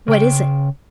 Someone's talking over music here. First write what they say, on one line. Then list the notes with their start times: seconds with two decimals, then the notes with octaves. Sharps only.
"What is it?"
0.08 C#3 G5